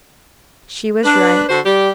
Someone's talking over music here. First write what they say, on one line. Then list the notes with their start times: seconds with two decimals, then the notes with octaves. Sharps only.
She was right.
1.03 D4 B4
1.49 D3 F#4 A4 C5
1.64 G3 G4